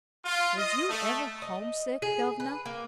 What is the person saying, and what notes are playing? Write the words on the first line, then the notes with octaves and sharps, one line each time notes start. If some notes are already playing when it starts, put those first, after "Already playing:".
Was you ever homesick, governor?'
F4
D#5
A3
D#5
G#4
B4
A#3